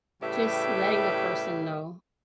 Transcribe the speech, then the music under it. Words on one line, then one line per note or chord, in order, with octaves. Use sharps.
just letting a person know.
A2 C#3 G3 G4 B4 E5